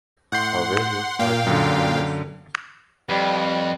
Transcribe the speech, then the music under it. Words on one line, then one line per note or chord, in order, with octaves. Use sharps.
However fighting soon resumed.
A2 F#5 C6 G6 C7
A#2 A#3 F5 G5
F#2 D3
F2 G3 B4